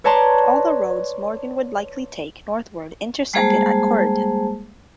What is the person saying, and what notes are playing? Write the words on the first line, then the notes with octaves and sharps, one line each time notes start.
All the roads Morgan would likely take northward intersected at Corydon.
B4 C#5 D5 A5 A#5 C6
G3 G#3 A#3 G#4 C5 A5